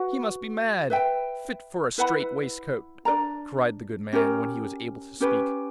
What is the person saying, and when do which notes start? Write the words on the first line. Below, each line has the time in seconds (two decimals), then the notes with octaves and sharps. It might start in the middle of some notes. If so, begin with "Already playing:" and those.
He must be mad! fit for a strait waistcoat!' cried the good man, when he was able to speak.
Already playing: F#4 B4 F#5
0.90 B4 E5 G5
1.98 E4 B4 F#5 B5
3.05 D4 A#4 D5 A#5
4.13 C#4 G4 A#4
5.20 C#4 G4 B4